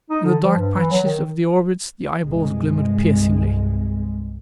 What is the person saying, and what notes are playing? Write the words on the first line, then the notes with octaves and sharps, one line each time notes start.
In the dark patches of the orbits the eyeballs glimmered piercingly.
D#4
D3
F3
G2
E3
F#3
D#3
C2 G2 G#3